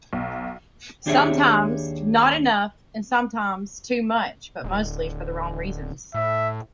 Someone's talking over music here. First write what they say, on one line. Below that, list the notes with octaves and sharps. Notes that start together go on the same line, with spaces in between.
Sometimes not enough and sometimes too much but mostly for the wrong reasons.
B1
D#2 D4 G4 G#4 C#5 E5
D1
A2 E5